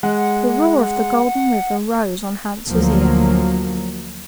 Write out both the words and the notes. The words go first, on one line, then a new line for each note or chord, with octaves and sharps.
The roar of the Golden River rose on Hans's ear.
G#3 F#5
D2 F3 F#3 A#3